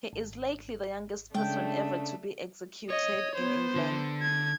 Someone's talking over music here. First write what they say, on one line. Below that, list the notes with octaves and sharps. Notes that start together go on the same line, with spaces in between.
He is likely the youngest person ever to be executed in England.
G#1
C#3 G#3 A3 D4 G5
C#5 D#5
B3 C5
D3
G#6